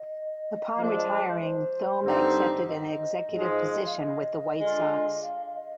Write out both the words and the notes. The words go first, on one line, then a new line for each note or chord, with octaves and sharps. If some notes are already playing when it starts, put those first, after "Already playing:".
Upon retiring, Thome accepted an executive position with the White Sox.
Already playing: D#5
F3 G#3 D4
C5
G2 D3 G3 C4 D#4
D#5
G#2 F3 G#3
F5
D#5
D3 G#3 D4 F4
F5
F5
D#5